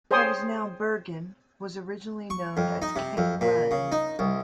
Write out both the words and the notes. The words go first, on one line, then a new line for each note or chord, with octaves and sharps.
What is now Burgin was originally known as Cane Run.
G#4 C5 C#5 G5 C6 D#6
C#6
F2
D#4
C3
F2
A#2
C#3
D#4
C2